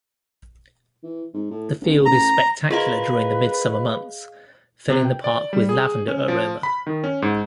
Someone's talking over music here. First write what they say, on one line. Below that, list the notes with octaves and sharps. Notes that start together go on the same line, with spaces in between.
The field is spectacular during the midsummer months, filling the park with lavender aroma.
E3
G#2
A2
A1
A#5
F4 G#4 A#4 B4 D#5 F5
C3
G5
D5
G3
G#4
C#4
F3
B5
D#3
C#4
G#2